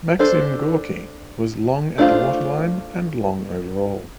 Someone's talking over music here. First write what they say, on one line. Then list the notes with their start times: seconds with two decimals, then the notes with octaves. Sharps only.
"Maxim Gorky" was long at the waterline, and long overall.
0.19 D4 A4 C5
1.98 A3 D4 F4 C5